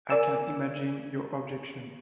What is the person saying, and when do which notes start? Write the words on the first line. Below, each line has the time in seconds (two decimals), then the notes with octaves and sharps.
I can imagine your objection.
0.10 A#4 D5 G#5 E6